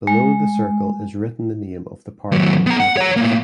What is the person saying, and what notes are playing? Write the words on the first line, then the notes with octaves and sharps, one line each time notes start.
Below the circle is written the name of the party in capitals.
G#3
D#2 F#3
B3 A#5
F#5
C#5 A#5
A2 A#3